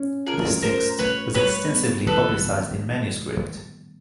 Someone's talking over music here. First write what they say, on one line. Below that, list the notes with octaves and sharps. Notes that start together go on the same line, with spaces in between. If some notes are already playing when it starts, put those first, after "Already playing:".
This text was extensively publicized in manuscript.
Already playing: C#4
F4 G#4 A#4
A3 A#4 C5
A3 B4 C#5
G3 B4 C#5
B3
D#3 A4 B4